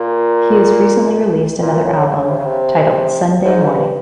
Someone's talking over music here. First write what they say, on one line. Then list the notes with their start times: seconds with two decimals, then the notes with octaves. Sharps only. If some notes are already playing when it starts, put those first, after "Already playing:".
He has recently released another album, titled Sunday Morning.
Already playing: A#2
1.61 A#2
1.84 C#3
2.07 C#3
2.29 C3
2.38 C#3
2.46 C3
3.45 G#2
3.62 F2
3.67 G2